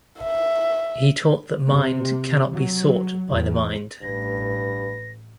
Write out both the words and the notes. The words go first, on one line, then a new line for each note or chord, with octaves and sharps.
He taught that mind cannot be sought by the mind.
E5
C3
F#3
E2
A1 G2 B4 A#6